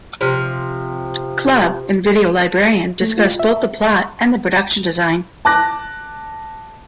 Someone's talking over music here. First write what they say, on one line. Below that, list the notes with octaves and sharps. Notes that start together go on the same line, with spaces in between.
Club, and "Video Librarian" discussed both the plot and the production design.
C3 F3
A3
F4
E5
A5 D6 F#6 A#6